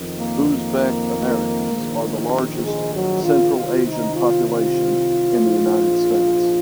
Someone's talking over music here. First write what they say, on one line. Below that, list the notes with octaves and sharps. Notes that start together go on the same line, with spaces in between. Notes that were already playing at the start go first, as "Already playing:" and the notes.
Uzbek Americans are the largest Central Asian population in the United States.
Already playing: F2 D#3
A#3
A#3
A#1 G#2 D#3
G#3
F#3
F4
C2 C3 D#3 F4
D#4
F4
F4
A#1 G#2 F3